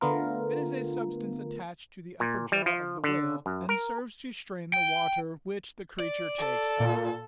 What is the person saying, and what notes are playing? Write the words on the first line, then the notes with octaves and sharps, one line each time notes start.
It is a substance attached to the upper jaw of the whale, and serves to strain the water which the creature takes up.
D3 A3 B3 F4 A#4
A#2
G3
F3
D3
F#2
A#4
G5
D5
A4
A#2